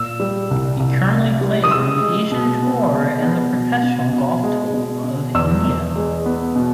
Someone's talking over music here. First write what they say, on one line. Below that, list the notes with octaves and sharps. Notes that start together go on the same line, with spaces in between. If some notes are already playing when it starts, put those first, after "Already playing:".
He currently plays on the Asian Tour and the Professional Golf Tour of India.
Already playing: A#2 E6
G3
C2
C2
A#3
G3
D#6
G#3 E6
G#3
B2
B3
G#3
B3
B2
B2
B2
G#3
B2
B2
E2 E6
E2
G#3
B3
B2